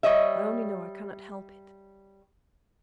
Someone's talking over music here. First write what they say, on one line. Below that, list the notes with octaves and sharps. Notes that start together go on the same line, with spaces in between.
I only know I cannot help it.
G3 C#5 D#5 E5